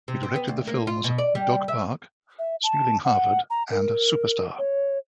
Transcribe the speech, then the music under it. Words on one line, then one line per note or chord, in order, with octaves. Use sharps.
He directed the films "Dog Park", "Stealing Harvard" and "Superstar".
C3
C4
B3
D2
A#3
F4
B2
D5
G3
E5
E5
A5
F#5
A#5
A#4
C#5